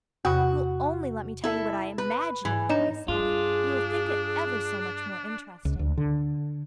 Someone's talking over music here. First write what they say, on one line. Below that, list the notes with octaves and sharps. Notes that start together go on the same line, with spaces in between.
"If you'll only let me tell you what I IMAGINE about myself you'll think it ever so much more interesting."
E2 C3 F#4 B5
E4 A4
B4
G#2 E3
D4 D#4 C#5
G2 D4 F4 G#4
C#2
D2
D3